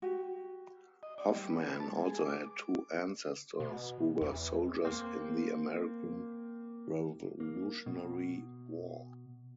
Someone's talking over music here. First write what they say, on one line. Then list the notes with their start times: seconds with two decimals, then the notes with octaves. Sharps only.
Hoffman also had two ancestors who were soldiers in the American Revolutionary War.
0.02 F#4 G4
1.03 D#5
1.18 D5
1.29 G3
1.50 B4
1.80 A5
1.92 G#3
2.05 G#4
2.26 D6
3.60 B2
4.22 E2
4.85 A#3 C4
7.40 A#3
7.86 B2